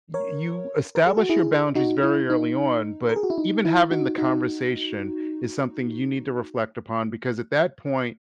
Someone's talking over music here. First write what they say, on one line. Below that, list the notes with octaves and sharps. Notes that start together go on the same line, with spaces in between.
y you establish your boundaries very early on, but even having the conversation is something you need to reflect upon because at that point,
A#4 C#5
A#4
G#4
F#4
E4 G#4
D#4 F#4
E4
D#4
A#4
G#4
F#4
E4
D#4
E4
D#4 F#4
D#4 F#4